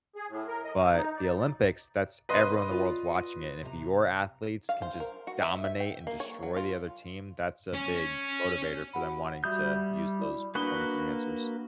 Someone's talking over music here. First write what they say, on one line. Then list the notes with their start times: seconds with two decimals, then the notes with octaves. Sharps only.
But the Olympics, that's everyone in the world's watching it, and if your athletes can just dominate and destroy the other team, that's a big motivator for them wanting to use those performance enhancers.
0.16 G#4
0.29 A2
0.48 A#4
0.64 D#5
0.78 E3
0.93 D#4
1.17 D5
2.29 C3 A#4 B4 D#5 F5 C6
2.71 F4 D5
3.63 C3 D#5 A#5
4.69 F5
4.82 C5
5.00 A#4
5.27 F#4
5.42 E5
5.64 E5
5.80 G5
6.07 A#3
6.20 C#5
6.43 F#3
6.56 F4
7.74 C#4
8.93 F#4 F#5 B5
9.44 G3 F#4 E5 D#6 G6
10.19 E4 D5 B5
10.55 A#3 D4 F#4 B4 D#6 G7